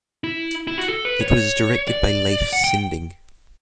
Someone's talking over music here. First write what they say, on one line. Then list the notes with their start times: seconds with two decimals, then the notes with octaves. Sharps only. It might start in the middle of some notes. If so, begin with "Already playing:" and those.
It was directed by Leif Sinding.
0.24 E4
0.67 E4
0.78 F#4
0.89 A4
1.05 B4
1.21 C#5
1.88 D5
2.53 F#5
2.64 G5